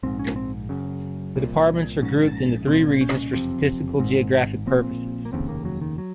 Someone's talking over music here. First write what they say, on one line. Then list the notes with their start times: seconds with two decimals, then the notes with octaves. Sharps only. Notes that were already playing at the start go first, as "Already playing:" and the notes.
The departments are grouped into three regions for statistical and geographic purposes.
0.03 A#1 G#2 C4
0.19 C#4
0.36 C4
0.69 F#1 F#2 C#3
1.36 C2 A#2
2.01 A#1 G#2 C#4
2.68 C2 A#2 C4
3.01 C#4
3.33 F#1 F2 C3 C4
4.00 G#1 G#2 C4
4.66 A#1 A#2 C4
5.25 A#3
5.32 F1 D#2 C#3 C4
5.49 A#3
5.65 F#3
5.82 D#3
5.98 F#3